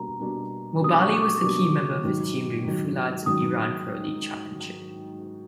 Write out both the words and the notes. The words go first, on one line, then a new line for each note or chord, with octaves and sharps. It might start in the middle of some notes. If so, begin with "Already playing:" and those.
Mobali was the key member of his team during Foolad's Iran Pro League championship.
Already playing: B2 G3 A#3 D4 F#4 A#5
B2 G3 A#3 D4 F#4
B2 G3 A#3 D4 F#4 D#6
D6
C#6
D6
B2 G3 A#3 D4 F#4 D6
G#2 D#3 F#3
G#2 D#3 F#3
G#2 D#3 F#3 D#6